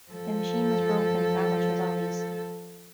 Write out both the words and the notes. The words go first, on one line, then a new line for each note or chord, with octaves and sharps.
The machine was broken, that much was obvious.
F3 A4